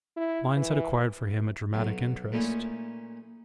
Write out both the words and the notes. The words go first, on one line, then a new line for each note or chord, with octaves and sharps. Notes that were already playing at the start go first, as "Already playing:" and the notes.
Mines had acquired for him a dramatic interest.
E4
E3
B1 F#3
A#2 A3 C#4 D#4 E4